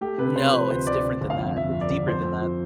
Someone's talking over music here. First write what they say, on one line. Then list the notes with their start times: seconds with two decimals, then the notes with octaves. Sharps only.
No, it's different than that, it's deeper than that.
0.01 A3 G4
0.18 C3 B4
0.36 C3 C5
0.52 F3 B4
0.70 D2 C5
0.87 D2 D5
1.04 C3
1.21 G1
1.30 F5
1.39 F2
1.56 F2 E5
1.73 F2
1.81 D5
1.90 G1
2.07 F2 C5
2.24 F2
2.42 F3